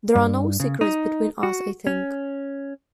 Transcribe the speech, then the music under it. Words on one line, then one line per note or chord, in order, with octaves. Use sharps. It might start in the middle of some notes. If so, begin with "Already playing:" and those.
There are no secrets between us, I think.
G2
C#3
D#4
F#4
C#4